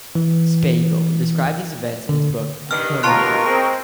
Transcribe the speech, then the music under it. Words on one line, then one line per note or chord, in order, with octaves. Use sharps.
Spiegel described these events in his book At home again?
E3
D3
G2 D#3 F6
D#2 B2 F4 A#4 A5 C6 C#6 F#6
G#3 C4